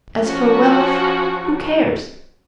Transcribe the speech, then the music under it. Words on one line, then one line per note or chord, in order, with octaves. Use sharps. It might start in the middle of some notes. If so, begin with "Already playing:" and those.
As for wealth, who cares?
F3 C#4 F#4